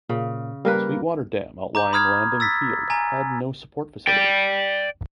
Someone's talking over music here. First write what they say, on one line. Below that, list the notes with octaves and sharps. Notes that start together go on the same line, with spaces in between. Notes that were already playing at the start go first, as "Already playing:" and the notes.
The Sweetwater Dam Outlying Landing Field had no support facilities.
A#2 C#3
G3 A#3 A#4 B4
A#5 D6 G6
B5 D#6 F6 G#6
E6 A6 B6
G#5 A#5
D5 G5